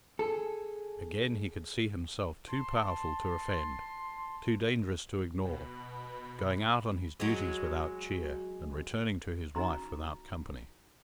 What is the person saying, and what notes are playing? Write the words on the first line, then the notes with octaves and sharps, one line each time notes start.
Again, he could see himself too powerful to offend, too dangerous to ignore, going out on his duties without cheer, and returning to his wife without company.
G#4 A4
A5 C6
B2 B5
F#3 G#3
D#4 F#4 A#5 C6